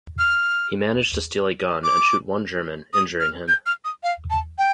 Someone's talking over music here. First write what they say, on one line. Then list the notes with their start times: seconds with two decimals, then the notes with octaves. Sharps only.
He managed to steal a gun and shoot one German, injuring him.
0.19 F6
1.84 D6
2.93 D#6
3.20 F6
3.48 G6
3.66 F6
3.85 D#6
4.03 F5
4.30 A5
4.58 G5